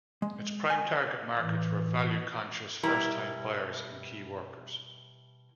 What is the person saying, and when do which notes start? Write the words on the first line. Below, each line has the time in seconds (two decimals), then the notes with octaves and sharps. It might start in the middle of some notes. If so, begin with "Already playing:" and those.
Its prime target markets were value-conscious first time buyers and key workers.
0.22 G#3
0.70 G#5
1.39 A2 E3
2.83 B2 G3 E4 A#4 A#5